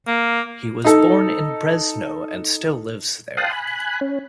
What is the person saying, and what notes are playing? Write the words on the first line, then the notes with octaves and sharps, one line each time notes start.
He was born in Brezno and still lives there.
A#3
D#4 A4
F5 G5 A5 C6 D#6 F#6
G#5 B5 F#6
C#4